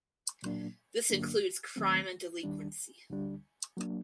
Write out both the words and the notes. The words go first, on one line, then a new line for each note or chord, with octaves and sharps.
This includes crime and delinquency.
A#2 F#3 A#3 D4
G2 D3 F#3 A#3 D4
D#2 D#3 F#3 A3 C4
D#2 D#3 G3 D4
D2 D3 G3 D4
F#3 A#3 D4